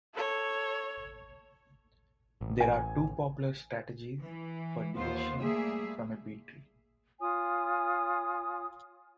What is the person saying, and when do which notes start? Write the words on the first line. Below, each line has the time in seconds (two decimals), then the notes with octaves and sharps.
There are two popular strategies for deletion from a B-tree.
0.14 A4 C#5
2.41 A1
2.60 G#5
4.21 E3
4.97 D#2 B3 F4 C5
5.40 G3 A3 A#3 G#4 E5
7.20 F4 C#5 G#5 D#6